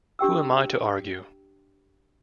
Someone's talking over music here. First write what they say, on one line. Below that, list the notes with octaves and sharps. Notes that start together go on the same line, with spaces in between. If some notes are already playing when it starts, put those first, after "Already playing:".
Who am I to argue?
D4 G4 G5 E6